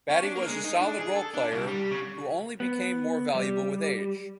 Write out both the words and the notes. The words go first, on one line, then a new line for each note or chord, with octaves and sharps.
Battie was a solid role player who only became more valuable with age.
C#4
D4
A#3
G#3
D#4
D4
G#4
A4
D4
C2
G3
C#3
B3
G3